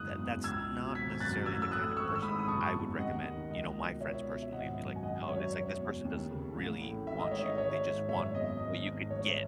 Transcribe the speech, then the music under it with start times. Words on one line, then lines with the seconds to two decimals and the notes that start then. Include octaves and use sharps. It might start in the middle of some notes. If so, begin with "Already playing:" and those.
tha that's not necessarily the kind of person I would recommend. You know, my friends, personally, would be like, "No. It's like this person doesn't really want you, they just want what you could get.
Already playing: F#1 G#2 D#6 F#6
0.19 E2
0.44 C#2 E6 G#6
0.70 B2
0.95 G#1 G#6 B6
1.10 G#6
1.20 F#2 F#6 A6
1.46 A1 E6 G#6
1.62 E6
1.71 A2 D#6 F#6
1.97 G#1 C#6 E6
2.15 E6
2.22 G#2 B5 D#6
2.39 D#6
2.48 F#1 A5 C#6
2.74 E2
2.99 D#2 D#5 F#5
3.24 D#3
3.50 C#2 D#5
3.75 B2
4.01 C#2 C#5 E5
4.26 B2
4.42 E5
4.52 G#1 D#5 F#5
4.77 F#2
4.96 G#5
5.03 G#1 D#5 F#5
5.29 F#2 C#5 E5
5.53 E1 C#5
5.79 E2
6.05 D#2
6.31 C#3
6.56 A1
6.82 A2
7.07 G#1 E5
7.19 D#5
7.31 G#2 C#5
7.43 D#5
7.58 G#1 C#5 E5
7.84 G#2
8.09 F#1 C#5 E5
8.35 E2 D#5
8.60 G#1 D#5
8.85 G#2
9.11 A1 C#5
9.29 E5